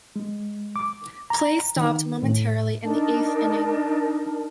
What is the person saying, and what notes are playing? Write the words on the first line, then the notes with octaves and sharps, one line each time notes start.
Play stopped momentarily in the eighth inning.
G#3
D6
A#5
D#3
A2
D4 D#4 A#4 A5